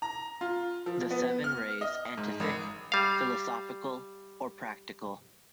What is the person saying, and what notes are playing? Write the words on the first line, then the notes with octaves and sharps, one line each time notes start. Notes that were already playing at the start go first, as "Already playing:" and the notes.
The seven rays antific, philosophical, or practical.
A#5
F4
F3
B3
F6
D#5
G#2
G#1
G3 F5